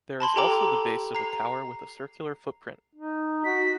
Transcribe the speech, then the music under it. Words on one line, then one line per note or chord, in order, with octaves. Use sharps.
There is also the base of a tower with a circular footprint.
A5 B5 C6 F#7
G4 A4 G5 A#5 D6
A#5 C7
D#4
F#4 B6